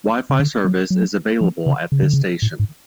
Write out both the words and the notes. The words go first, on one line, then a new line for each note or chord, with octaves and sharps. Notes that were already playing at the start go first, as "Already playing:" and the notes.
Wi-Fi service is available at this station.
C#3
D3
F#3
F#3
F3
C#3
C#3
D3
C#3
A2
G#2